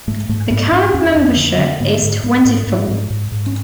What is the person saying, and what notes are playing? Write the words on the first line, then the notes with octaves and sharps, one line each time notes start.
The current membership is twenty-four.
G#2 A3
G#2 A3
G#2 B3
D4
G#2 C#4
F2 C#4
F2
D3
D3
G#2 B3
G#2
G#2 B3
G#2
G#2
G#2
G#2
G#2
C#4